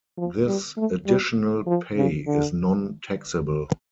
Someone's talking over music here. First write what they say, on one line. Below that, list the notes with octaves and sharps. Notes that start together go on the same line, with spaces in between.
This additional pay is non-taxable.
F3
G3
A3
G3
F3
C#3
D3